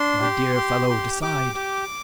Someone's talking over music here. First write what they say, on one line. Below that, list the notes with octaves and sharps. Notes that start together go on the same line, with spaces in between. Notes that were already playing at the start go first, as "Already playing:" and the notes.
My dear fellow, decide!
Already playing: D4 C6
G4
G4
G4
G4 D6
G4